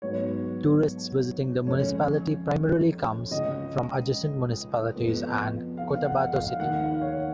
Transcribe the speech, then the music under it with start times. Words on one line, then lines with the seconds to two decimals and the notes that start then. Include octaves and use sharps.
Tourists visiting the municipality primarily comes from adjacent municipalities and Cotabato City.
0.02 G#2 F#3 B3 C#5
1.67 F2 C#3 G#3 C#4 C#5
3.31 C#2 C#3 G#3 D#5
4.96 F2 F3 B3
5.77 F5
6.05 F#5
6.33 F5
6.60 D#2 D#3 A#3 F#5
6.81 F5
7.01 C#5